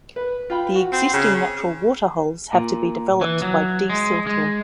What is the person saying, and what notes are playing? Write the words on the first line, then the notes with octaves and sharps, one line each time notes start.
The existing natural water holes have to be developed by desilting.
B4
F4 G5 B5
F#4
C4
C#3
A#2
E3
F#3
G#3
G#3